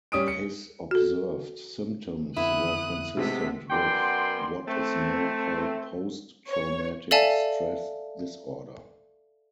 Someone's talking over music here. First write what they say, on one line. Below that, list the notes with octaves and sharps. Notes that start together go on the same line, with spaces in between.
His observed symptoms were consistent with what is now called post-traumatic stress disorder.
G3 C#4 D#6 D7
C#7
F#4 A4
F2 D3 B3 E4 D#6 F#6
C3 G#3 A3 B3 B6
F#2 B3 D5 G5 C6
A3 C4
C#5
A4 D5 E5 F5 G#5 A5